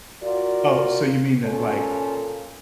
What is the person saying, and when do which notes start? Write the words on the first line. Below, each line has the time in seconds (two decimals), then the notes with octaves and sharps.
Oh, so you mean that, like,
0.22 F4 F#4 A#4 D5
1.44 A#2 C#4 A4